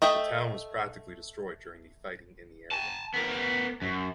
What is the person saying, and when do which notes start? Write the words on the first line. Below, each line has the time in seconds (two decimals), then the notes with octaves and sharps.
The town was practically destroyed during the fighting in the area.
0.02 A3 D#5 E5 G5
2.71 G#5 A5
3.14 B3 A#4
3.82 F#2